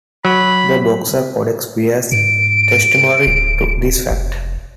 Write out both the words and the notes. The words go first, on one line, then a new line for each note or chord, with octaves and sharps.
The Boxer Codex bears testimony to this fact.
F#3 B5
G#2 D7
D1
F1